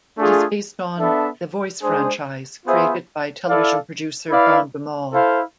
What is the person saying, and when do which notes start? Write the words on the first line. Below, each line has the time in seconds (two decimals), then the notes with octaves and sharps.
It is based on "The Voice franchise" created by television producer John de Mol.
0.16 A3 D4 F4 G#4
0.99 B3 D4 A4 E5
1.82 G#3 D4 G#4 C5
2.64 B3 F4 G#4 C5 E5
3.47 E4 A4 D5 F5
4.30 E4 B4 D5 F5
5.12 E4 A4 C5 F5